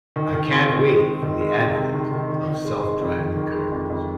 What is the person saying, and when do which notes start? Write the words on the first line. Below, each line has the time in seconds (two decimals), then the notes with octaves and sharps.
I can't wait for the advent of self driving cars.
0.16 D#3
0.33 D#3
0.51 C4
0.69 D#3
0.87 G#3
1.05 G#3
1.22 D#3
1.41 G#3
1.58 C3
1.76 C3
1.94 D#3
2.12 D#3
2.29 D#3
2.48 D#3
2.65 G#3
2.83 G#3
3.01 F2
3.18 D#3
3.37 D#3
3.54 G#3
3.72 F2
3.90 F2